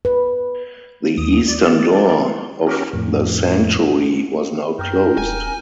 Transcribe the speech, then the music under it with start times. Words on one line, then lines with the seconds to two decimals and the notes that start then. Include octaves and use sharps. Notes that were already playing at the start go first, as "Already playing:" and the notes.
The eastern door of the sanctuary was now closed.
0.05 B4
1.18 D#2 D#6
1.48 D5
2.67 C#4 F#4 G4 A#4
2.93 F2 A2
4.79 F#2 A#4 G5
5.18 D#1 G#5